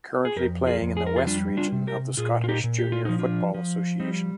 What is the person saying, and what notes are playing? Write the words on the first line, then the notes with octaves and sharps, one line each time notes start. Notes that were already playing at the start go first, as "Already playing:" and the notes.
Currently playing in the West Region of the Scottish Junior Football Association.
G#4
F2 G4 A#4
F4 G#4
F2
G#4
A#4
F4 G#4
G3 D4 F4
D4 F4
C3
G4 A#4
A#2 F4 G#4
F4
D#4 G4
A#2
G4
F4
F3 D#4
D4 F4
F3
G3 C4 D#4